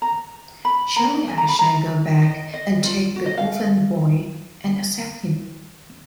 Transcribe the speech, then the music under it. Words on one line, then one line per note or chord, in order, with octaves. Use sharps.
Surely I shall go back and take the orphan boy and accept him.
A#5
B5
A#5
G#5
A#5
B5
A#5
D#5
D#5
F4
F#4
D#5
F5